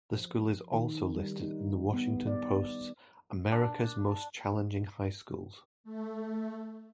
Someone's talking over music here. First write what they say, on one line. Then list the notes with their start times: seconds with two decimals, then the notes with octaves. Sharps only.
The school is also listed in the Washington Post's "America's Most Challenging High Schools".
0.11 F3
0.73 D#3
1.16 G3
1.40 D#4
1.94 B3
2.27 D5
3.52 D4
5.84 A3